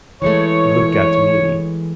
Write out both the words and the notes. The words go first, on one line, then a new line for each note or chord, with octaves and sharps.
Look at me.
E3 G#3 A3 C#5